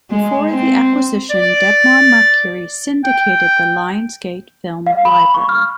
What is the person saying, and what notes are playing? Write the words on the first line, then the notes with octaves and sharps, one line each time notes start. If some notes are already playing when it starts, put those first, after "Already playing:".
Before the acquisition, Debmar-Mercury syndicated the Lionsgate film library.
G#3
C4
D5
G5
F5
B5
B5
C#6
F6